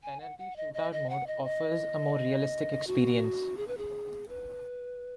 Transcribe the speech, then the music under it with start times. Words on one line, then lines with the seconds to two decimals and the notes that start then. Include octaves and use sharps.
Penalty Shoot-Out mode offers a more realistic experience.
0.03 G#5
0.21 F#5
0.39 F#5
0.56 D#5
0.74 D#5
0.92 D#5
1.09 F#5
1.27 D#5
1.44 D#5
2.87 F#4
3.57 G#4
3.68 B4
3.78 G#4
4.28 B4